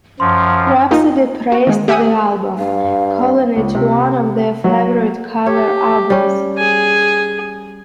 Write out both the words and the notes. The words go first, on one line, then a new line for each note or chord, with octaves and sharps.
Rhapsody praised the album, calling it one of their favorite cover albums.
F#2 F3 C6
A#3 D#4 F4
F#4
D#3 G#3
G4 E5 F#5 G#5 D#6
G2 F5
C#2
C3
F#3
G4 C#5
G3 C#4
G#4 G#5